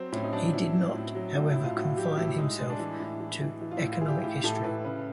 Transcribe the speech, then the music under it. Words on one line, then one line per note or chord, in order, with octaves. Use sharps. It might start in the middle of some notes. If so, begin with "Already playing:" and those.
He did not, however, confine himself to economic history.
Already playing: F#3 C4
A2 C#4
D#4
F#3 D4
A2 E4
F#3
A2
F#3
A2
A2 E4
F4
A2 F#4
F#3 G4
A2 E4
G#3 D#4
G#3
D4
E3
A2
E3
E3
E3
F4
E4
A2
F4
E3 G#4
G4
A2 G4
A2 A4
A2 B4
C#3 B4